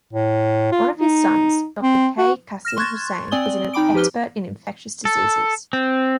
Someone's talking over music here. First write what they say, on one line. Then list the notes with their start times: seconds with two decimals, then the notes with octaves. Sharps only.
One of his sons, Doctor K. Khasim Hussain was an expert in infectious diseases.
0.13 A2
0.72 F4
0.99 D#4
1.83 C4
2.18 F#4
2.65 F6 A#6 E7
2.77 C6 C#6 F#6 G#6 A6
3.31 C4 D5 G#5 D#6 G7
3.73 D#4 G5 B5 D6 D7
3.94 F3 G4 B4 F6 G7
5.05 A4
5.73 C4